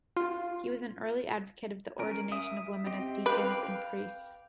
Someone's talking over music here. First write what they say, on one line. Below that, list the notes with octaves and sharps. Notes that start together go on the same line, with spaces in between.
He was an early advocate of the ordination of women as deacons and priests.
F4
C#4 A#4
E5 D#6
C4 G4 D#5
B4 F5 G5 D6